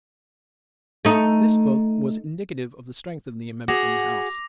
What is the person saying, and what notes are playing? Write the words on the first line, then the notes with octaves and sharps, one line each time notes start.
This vote was indicative of the strength of the amendment in the House.
A3 D#4
F#4 G#4 D6 A#6 F7